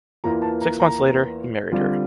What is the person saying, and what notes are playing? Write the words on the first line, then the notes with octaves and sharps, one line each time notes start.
Six months later, he married her.
E2 E3 A#3 F4 A#5
A5
A#5
A#5
D3 G3 C4 F4